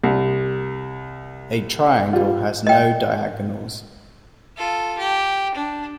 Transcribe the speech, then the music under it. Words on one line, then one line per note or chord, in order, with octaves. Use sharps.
A triangle has no diagonals.
C2
G3 F4
D#5 G5
F4 A4
G4
D4